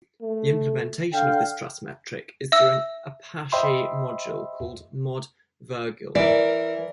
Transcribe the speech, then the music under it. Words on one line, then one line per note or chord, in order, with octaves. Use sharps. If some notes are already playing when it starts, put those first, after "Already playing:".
The implementation of this trust metric is through an Apache module called "mod virgule".
A3
D3 F5 G5
E5 E6
C5 D#5 E5 G5 B5 C6
E3 A#4 D5